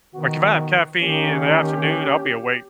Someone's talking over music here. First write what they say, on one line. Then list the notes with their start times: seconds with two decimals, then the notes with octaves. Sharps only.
like, if I have caffeine in the afternoon, I'll be awake,
0.14 B2 D#3 F3 F#4
1.01 D#3 A#3 C#4 G4